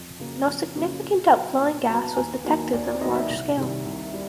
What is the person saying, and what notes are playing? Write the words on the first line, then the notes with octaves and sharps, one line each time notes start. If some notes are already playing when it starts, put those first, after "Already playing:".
No significant outflowing gas was detected in the large scale.
Already playing: F2
C#3 F#3 A#3 C#4
F2
C#3 F#3 A#3 C#4
A#2
F#3 B3
A#2
F#3 B3 A#5
A5
D#2 G#5
D#3 F#3 A#3
D#2 D5
D5
D#3 F#3 A#3 D#5
E5
C2 E5
C3 D#3 G3
C2
G3